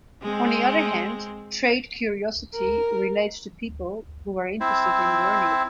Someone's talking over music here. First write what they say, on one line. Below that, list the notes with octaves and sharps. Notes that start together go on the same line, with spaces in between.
On the other hand, trait curiosity relates to people who are interested in learning.
G#3 C4
A#4
C4 E4